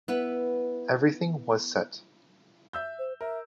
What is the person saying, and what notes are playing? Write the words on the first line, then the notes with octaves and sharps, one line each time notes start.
Everything was set.
B3 E4 B4
E5 E6 G6
C5
A#4 E5